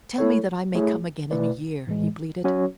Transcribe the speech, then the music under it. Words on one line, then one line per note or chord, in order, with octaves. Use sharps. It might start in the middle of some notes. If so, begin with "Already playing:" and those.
"Tell me that I may come again,--in a year," he pleaded.
A3 E4 A4 C#5
A3 E4 G#4 C#5
B2 A3 E4 B4 D5
A2 E3 G#3
F#3 C#4 F#4 C#5